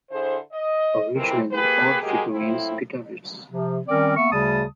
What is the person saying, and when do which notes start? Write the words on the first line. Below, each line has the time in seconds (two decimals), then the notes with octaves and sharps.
Originally all the Figurines guitarists.
0.11 D3 E4 G#4 C5
0.52 D#5
1.15 F2 C3 E3 C4 E4 A#4
1.52 A#3 G4 G#4 B4
2.01 F#3 G#3 A#3 G4 G#4
2.31 A2 F3 C4 E4
3.51 C3 F3
3.88 D#3 G3 C4 C#4 A#4 D5
4.17 A#3 B3 E5 C#6
4.32 D2 C#3 G3 A5 D#6